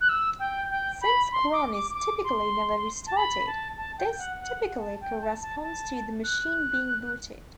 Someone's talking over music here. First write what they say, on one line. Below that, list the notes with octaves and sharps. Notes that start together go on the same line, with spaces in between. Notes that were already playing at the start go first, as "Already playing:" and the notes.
Since cron is typically never restarted, this typically corresponds to the machine being booted.
F#6
E6
G5
G5
B5
C6
D6
D6
D6
C6
A5
B5
A5
A5
G5
F#5
F#5
F#5
A5
G5
A5
A5
A5
F#6